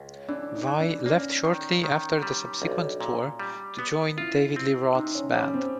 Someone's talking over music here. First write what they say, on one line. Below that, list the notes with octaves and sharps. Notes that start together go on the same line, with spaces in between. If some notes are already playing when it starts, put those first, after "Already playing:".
Vai left shortly after the subsequent tour to join David Lee Roth's band.
Already playing: C#2
E3 D4
D#4
E3
D4
A#3 C#4
D#3
D#3
G3
B1 D4
A#2
G3
B3
E4 F4
C4
C3 D#4
C#4
G3 C#4
C4